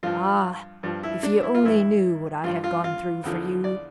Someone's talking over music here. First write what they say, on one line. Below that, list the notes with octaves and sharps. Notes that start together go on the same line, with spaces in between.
Ah, if you only knew what I have gone through for you!
G2 F3 F4
G2 F3
E4
D4
E4
F4
G2 E3 E4
G2 F3 F4
F4
F4
E2 D3 F3
D5